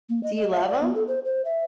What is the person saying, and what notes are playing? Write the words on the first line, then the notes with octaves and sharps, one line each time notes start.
Do you love 'em?
A#3
D#5
D#5
E5
D5
B3
A4
C5
C5
E5